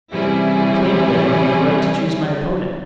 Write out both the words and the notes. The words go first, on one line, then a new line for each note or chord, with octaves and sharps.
I claim, then, the right to choose my opponent.
C3 E3 G3 C#4 E4 G#4